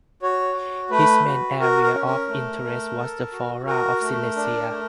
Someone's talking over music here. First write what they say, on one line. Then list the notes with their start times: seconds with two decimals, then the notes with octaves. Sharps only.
His main area of interest was the flora of Silesia.
0.22 F#4 C#5
0.56 F#4
0.90 A3 B4
1.25 F#4
1.60 F#4 A#4
1.83 A#4
1.94 C#4
2.06 A#4
2.28 A3
2.63 A3
2.98 A4
3.32 F#4
3.66 F#4 A#4
4.01 A3
4.36 D4
4.69 A3